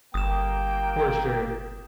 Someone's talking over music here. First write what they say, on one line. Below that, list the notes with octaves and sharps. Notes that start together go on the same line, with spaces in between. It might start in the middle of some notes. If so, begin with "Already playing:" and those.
For sure.
G1 A#3 G5 D#6 E7